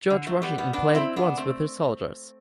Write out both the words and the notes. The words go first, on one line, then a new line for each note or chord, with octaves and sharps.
George Washington played it once with his soldiers.
D3
F#3 A3
G3 B3
G3 B3
B3 D4
C4 E4
B3 D4
A3 C4